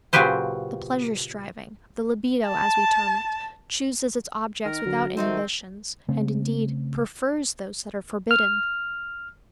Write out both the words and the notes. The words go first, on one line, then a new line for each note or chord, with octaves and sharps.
The pleasure-striving--the libido, as we term it--chooses its objects without inhibitions, and indeed, prefers those that are forbidden.
A#2 C#3 F#3 G4 B4 C5
A5
D#3 A#4
D2 F#3
D#3 A3 C4 D#4 C5
C#3 A3 C4
F6